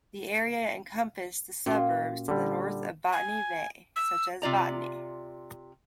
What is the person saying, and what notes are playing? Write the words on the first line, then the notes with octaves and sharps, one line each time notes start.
The area encompassed the suburbs to the north of Botany Bay, such as Botany.
A#2 C#4 F4 F#4
D3 G3
G#5
E6
C3 F4 D5 A#5